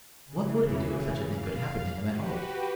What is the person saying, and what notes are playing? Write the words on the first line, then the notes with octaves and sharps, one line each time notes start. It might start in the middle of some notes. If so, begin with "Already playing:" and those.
What would he do if such a thing could happen to him at home?
C#3 E3
F5
F#4 G4 B4